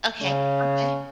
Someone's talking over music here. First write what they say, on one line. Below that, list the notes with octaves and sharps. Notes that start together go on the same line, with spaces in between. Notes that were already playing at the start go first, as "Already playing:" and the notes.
Okay. Okay.
C#3 C#4